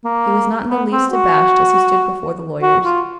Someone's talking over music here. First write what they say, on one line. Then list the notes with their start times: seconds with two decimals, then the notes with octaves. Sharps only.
He was not in the least abashed as he stood before the lawyers.
0.05 A#3
0.69 B3
0.91 C4
1.12 F#4
2.63 F#4
2.85 F4